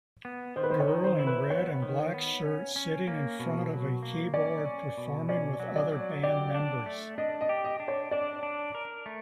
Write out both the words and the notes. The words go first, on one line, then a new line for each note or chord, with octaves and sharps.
Girl in red and black shirt sitting in front of a keyboard performing with other band members.
B3
D#3 C5
B4
C5
C#5
D#3
C5
E4
B4
B3 C#5
D#3
B3
C#4
C#4
A#3
B2
F#3
A#3
C#4 D5
C#4
B2
C#4 D5
F#3
D5
F#3
G4 D5
D4
A3
D4 D#5
D#5
G4
D#5
D4
C#5
D4 D5
D4
A#4
A3